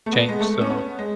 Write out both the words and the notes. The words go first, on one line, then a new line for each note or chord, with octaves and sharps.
change, so,
A3
B3
G#3
A3
C#4
B3
G#3